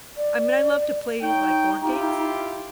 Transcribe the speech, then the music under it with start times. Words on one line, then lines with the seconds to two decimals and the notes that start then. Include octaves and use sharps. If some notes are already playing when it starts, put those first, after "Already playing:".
I mean, I love to play, like, board games.
0.17 D5
1.22 D#4 C#5 G5
1.83 E4 F4 G4